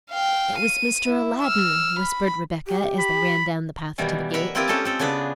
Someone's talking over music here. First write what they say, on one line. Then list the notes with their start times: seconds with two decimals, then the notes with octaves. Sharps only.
"It was Mr. Aladdin," whispered Rebecca, as they ran down the path to the gate.
0.10 F5 G5
0.59 D#7
1.07 E4
1.43 E6 F6
1.99 B5
2.67 G4
2.99 B5
3.98 B2 D#3 E3 G3
4.33 A#4 B4 E5 F#5 B5
4.55 A#3 C4 E4 F4 G4 A#4
4.68 C#4 G4 A4 D#5 G#5 A5
4.85 C4 A4 G5
4.99 C#3 B3 D4 G#4 B4